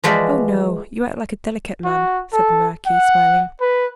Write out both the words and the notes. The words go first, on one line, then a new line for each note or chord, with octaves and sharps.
"Oh, no; you act like a delicate man," said the marquise, smiling.
E3 F3 G#3 F#4 B4 D5
F#4
A4
F#5
B4